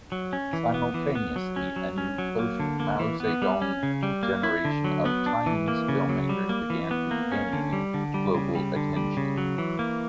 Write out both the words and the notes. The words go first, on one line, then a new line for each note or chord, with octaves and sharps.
Simultaneously, a new post-Mao Zedong generation of Chinese filmmakers began to gain global attention.
F#3
C#4
E3
B3
E3
B3
F#3
C#4
F#3
C#4
F#3
A#3
D3
A#3
E3
B3
G3
C#4
C#3
G3
A#3
E4
D3
F#3
B3
D4
E3
A#3
C#3
F#3
G3
A#3
E3
B3
A#3
C#4
D3
G3
D3
G3
C#3
G3
D3
G3
C#3
F#3
E3
A#3